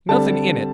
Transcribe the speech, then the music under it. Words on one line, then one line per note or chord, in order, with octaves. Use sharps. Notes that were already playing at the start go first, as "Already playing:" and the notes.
Nothing in it?
D3 G3 C4 A5